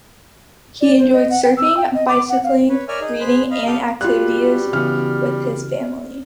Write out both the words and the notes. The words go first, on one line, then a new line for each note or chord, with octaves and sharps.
He enjoyed surfing, bicycling, reading and activities with his family.
D5
C5
D#5
F#5
G5
E6
G5
D#5
D6
F#5
F5
B4 C#5
A#4 C#5 D5 E5 G#5 F6
D#4 G#4
G#4 C5 B5 F#6
D#5 F5 B5
G4 A4 F5 D#6
G3 F4 F#4 F#6
C#3 E3 B3 F6